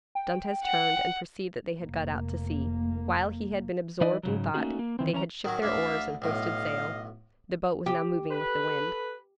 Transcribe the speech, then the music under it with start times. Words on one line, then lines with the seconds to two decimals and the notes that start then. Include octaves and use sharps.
Dantes turned and perceived that they had got out to sea. While he had been absorbed in thought, they had shipped their oars and hoisted sail; the boat was now moving with the wind.
0.15 G5
0.64 F#5
1.78 F1 A#3
4.01 E3 D#4 B4 D5 D#5
4.23 G#2 C#3 F#3
4.54 A3 A#3 C#4 D#4 F#4 G#4
4.79 A#3
4.99 D#3 E3 C4
5.13 E3 C#4 D4 A#5
5.45 D#3 F#3 C#4
5.62 D2 D3 D5 E5 F5
6.22 B1 A2 D#5 F5
7.86 G4
8.30 A4 B4